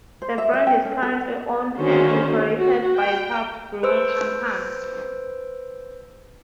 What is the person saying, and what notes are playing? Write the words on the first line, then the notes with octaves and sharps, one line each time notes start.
The brand is currently owned and operated by Pabst Brewing Company.
C5
E5
E5
G5
C#4
A4
F#5
D3 D#3 A#3 C#4 F#4 C5
F#4
G5
B4 C5 E6 D7